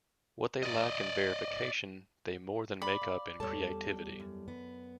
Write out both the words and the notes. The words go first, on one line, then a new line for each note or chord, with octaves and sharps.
What they lack in verification, they more than make up in creativity.
D5 D#5
D5 B5
F5
E2 G3 A4 C#5 A5
F#2
B3